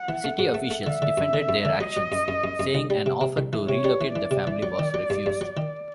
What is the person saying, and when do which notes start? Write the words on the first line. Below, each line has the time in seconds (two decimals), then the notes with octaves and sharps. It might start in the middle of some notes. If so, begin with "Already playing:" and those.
City officials defended their actions, saying an offer to relocate the family was refused.
Already playing: F#5
0.09 E3
0.24 A3
0.39 G#2
0.54 A3
0.71 A3
0.86 D3 E5
1.02 D3
1.17 F#2
1.33 D3
1.49 F#2
1.65 D3
1.81 F#3 D#5
1.97 F#3
2.12 F#2
2.28 F#2
2.44 F#2
2.60 F#2
2.74 C2
2.90 G3
3.06 C3
3.21 C3
3.37 C2
3.53 E3
3.69 C3 C#5
3.84 G3
4.01 E3
4.16 E3 D5
4.31 C3
4.47 E3
4.63 F#3
4.79 D#3
4.94 F#3
5.10 G2
5.26 G2
5.41 F#3
5.57 D#3